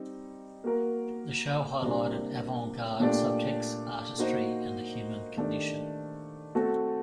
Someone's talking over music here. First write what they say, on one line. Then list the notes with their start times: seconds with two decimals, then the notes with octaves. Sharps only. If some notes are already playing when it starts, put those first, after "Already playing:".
The show highlighted avant-garde subjects, artistry, and the human condition.
Already playing: G3 C4 D#4
0.64 A#3 F#4 A#4
1.82 C3 G3 A#3 D4
3.00 A#2 A3 D4 G4 D5
4.18 A#3 D#4 F#4 C5 D#5
5.36 D#3 A3 D4 G4 D5
6.55 A3 C4 F#4 A4